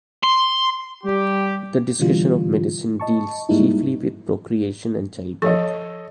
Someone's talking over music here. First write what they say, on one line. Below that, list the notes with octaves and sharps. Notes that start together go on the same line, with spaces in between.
The discussion of medicine deals chiefly with procreation and childbirth.
C6
G3 G4
B2 D3 E3 G3 F4
D#5 A5 C#6
G#2 G3 G#3 A#3 D#4 E4
F3 A4 C#5 D#5